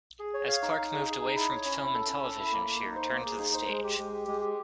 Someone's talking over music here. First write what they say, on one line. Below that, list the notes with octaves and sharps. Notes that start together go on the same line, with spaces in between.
As Clark moved away from film and television, she returned to the stage.
G#4
C#5
F5
D#4
D#4
G#4
G#4
D#4
E4
C#5
C#4
E4
A4
C#4
A4
E4
A#3
A#3
D#4
C5
A#3
G#4
D#4
C5
G#3
G4
G#3
G4
G#3
G4